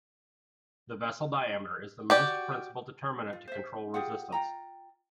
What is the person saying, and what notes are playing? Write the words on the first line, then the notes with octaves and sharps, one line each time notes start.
The vessel diameter is the most principal determinant to control resistance.
F#4 G4 D5
F4
C5 E5
F4 G4 G#4 F#5
F4 G5 A#5